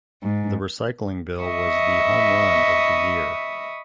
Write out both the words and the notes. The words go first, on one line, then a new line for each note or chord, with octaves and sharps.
The recycling bill was the home run of the year.
G#2
D#5 E5 B5 C#6 D#6